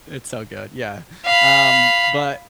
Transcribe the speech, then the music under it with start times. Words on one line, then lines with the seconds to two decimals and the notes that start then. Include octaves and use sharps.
it's so good, yeah. Um, but
1.26 F5 B5